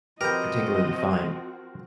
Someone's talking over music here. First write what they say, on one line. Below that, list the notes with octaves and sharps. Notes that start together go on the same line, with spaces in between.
particularly fine,
F3 C4 F#4 G4 A#4 B4 D#5 G5